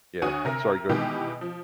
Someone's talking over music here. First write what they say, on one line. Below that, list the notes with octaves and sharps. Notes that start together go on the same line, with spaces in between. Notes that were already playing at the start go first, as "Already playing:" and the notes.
yeah, sorry, go ahead.
D2 F#4 C#5 D#6 D#7
C3 A#4 A#6
B2 D#3 E3 G#3 B3 G4
F3